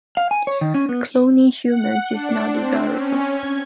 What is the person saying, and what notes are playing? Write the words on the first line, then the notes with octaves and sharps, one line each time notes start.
Cloning humans is not desirable.
F5
G#5
C#5
D#3
C#4
B3
F#5
D4
C4
C#4
G#6